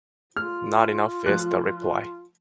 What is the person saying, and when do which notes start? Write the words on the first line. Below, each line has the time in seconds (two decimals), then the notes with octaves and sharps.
Not enough, is the reply.
0.37 F4 F6
1.26 F3 F#6